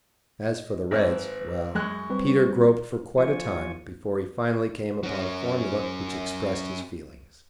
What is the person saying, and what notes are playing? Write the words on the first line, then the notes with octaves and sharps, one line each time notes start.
As for the Reds--well, Peter groped for quite a time before he finally came upon a formula which expressed his feelings.
D#5
G#1 C4 B4
F#2 G#3 C#6 F#6
G3 C4 B4
F3 F4 D5 G#5 C#6
F#3 C#4